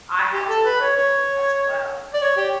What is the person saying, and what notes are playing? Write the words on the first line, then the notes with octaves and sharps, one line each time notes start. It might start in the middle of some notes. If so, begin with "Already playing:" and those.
I had to learn as well.
G4
A4
B4
C#5
C#5
D5
C#5
G4